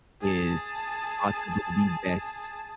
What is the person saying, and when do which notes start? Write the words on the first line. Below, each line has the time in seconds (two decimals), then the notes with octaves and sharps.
is possibly the best
0.21 G#4 A5